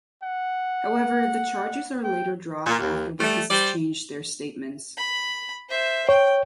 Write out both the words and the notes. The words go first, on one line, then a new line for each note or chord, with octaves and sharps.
However the charges are later dropped after witnesses changed their statements.
F#5
G5
A#2
D#2
G3 A3
G3 C5 D5
B5
C5 E5
C#5 G5